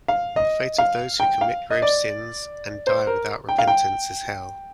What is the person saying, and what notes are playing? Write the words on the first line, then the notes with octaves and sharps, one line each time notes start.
The fate of those who commit grave sins and die without repentance is Hell.
F5
D#5
F5
G5
F5
D#5
D5
C5
A#4
G5
F5
G5